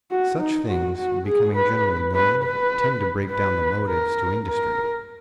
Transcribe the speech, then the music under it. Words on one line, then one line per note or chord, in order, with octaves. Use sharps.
Such things becoming generally known tend to break down the motives to industry.
F#4
D#4
F#4
F#4
G#4
B4
B4
B4
B4
A#4
A#4